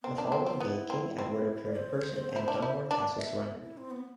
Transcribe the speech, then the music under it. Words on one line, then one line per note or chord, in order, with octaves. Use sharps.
The following day King Edward appeared in person and Dunbar castle surrendered.
B3 C4
A3 D4
B3 C4
B3 C4
B3 E4 F4
C4
C4
D5
C5
E4
D4
E4
D4 D5
E5
E4
C4
B3